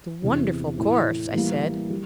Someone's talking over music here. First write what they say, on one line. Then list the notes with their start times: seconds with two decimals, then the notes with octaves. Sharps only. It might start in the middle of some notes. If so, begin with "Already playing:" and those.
"It's a wonderful course," I said.
0.22 E2 C3 E3
0.78 A2 E3 A3 E4
1.34 E3 G3 A#3 E4
1.90 G3